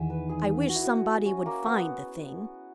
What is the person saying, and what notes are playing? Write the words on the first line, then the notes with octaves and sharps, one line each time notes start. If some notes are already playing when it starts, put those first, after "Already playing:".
I wish somebody would find the thing.
Already playing: E2 D#3 E5 F#5 G#5
B4
G#4
F#4
E4
F#4
C#4
A#3
B3